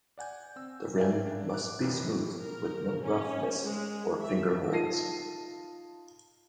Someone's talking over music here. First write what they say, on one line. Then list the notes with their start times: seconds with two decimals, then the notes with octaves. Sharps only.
The rim must be smooth, with no roughness or finger holds.
0.18 D5 F#5 G#5 G6
0.56 C4 E6
0.98 D5 E5 F5 G5 G#5
1.25 G3 D4
1.49 D6 F#6
1.81 F#2 C3 E3 A#3 B3 D4
2.38 A#4
3.02 C#4
3.63 G#3
4.21 E5
4.71 D#4 F4 A5 A#6 C7 D#7